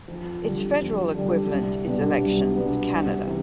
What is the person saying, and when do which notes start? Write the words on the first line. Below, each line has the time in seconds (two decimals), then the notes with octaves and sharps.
Its federal equivalent is Elections Canada.
0.08 F2
0.44 D3 G3
0.79 F2
1.15 D3 G3
1.50 C2
1.85 B2 G3 B3 D4
2.21 C2
2.56 B2 G3 B3 D4
2.90 C2
3.26 C3 E3